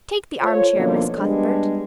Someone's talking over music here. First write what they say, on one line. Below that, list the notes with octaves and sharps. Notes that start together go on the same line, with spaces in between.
Take the armchair, Miss Cuthbert.
F4 A4 C5 C#5
F#2 B2 D3 F3 A#3
G3 G#3 B3 D4